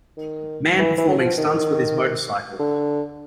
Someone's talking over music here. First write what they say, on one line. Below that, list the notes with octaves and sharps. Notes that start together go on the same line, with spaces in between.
Man performing stunts with his motorcycle.
D#3
E3
E3
F#3
F3
D#3
D3